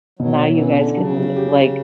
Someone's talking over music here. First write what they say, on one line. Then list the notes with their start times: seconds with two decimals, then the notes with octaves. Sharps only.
Now you guys can, like,
0.19 B2 F#3
0.45 E3
0.58 C#4
0.71 D3
0.97 C#3 F#3
1.36 G4